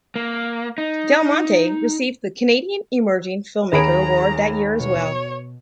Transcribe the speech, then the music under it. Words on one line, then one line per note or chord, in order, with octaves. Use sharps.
Del Monte received the Canadian Emerging Filmmaker award that year as well.
A#3
D#4
D#2 G#4 C#5 A#5 B5 D7
B2 C#5